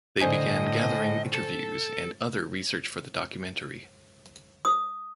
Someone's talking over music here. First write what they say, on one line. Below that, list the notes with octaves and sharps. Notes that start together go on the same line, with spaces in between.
They began gathering interviews and other research for the documentary.
A2 D3 C5 D#5 G#5
A4
D#6